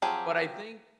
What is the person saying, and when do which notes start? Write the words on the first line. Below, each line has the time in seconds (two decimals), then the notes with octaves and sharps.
But I think
0.02 F3 F#3 C4 G4 G#4